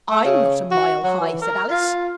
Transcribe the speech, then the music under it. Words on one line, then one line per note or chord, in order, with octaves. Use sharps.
'I'M not a mile high,' said Alice.
A3
C#3
F#4
F#3
E3
A#4
F4